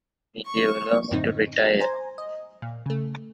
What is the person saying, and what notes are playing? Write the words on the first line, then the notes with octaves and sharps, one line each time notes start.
Will you allow me to retire?
C#6
F#2 A2 D3 C4 D#4
C5 G#5 A#5
D#5
A#2
C#3 A3